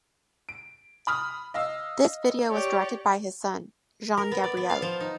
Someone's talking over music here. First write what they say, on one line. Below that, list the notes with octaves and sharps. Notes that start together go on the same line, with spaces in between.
This video was directed by his son Jean Gabriel.
D7
B5 D#6 F6
D#5 F5 E6
G4 C#5 D5
A#4
B3
D5
B3
F5
F3
D#4